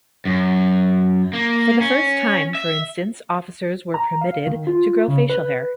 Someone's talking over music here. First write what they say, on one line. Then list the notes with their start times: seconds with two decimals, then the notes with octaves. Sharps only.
For the first time, for instance, officers were permitted to grow facial hair.
0.25 F#2
1.33 A#3
1.81 C#4
2.55 E5
3.94 A#5
4.21 F5
4.47 D#3
4.67 F4
5.08 C#3
5.30 B4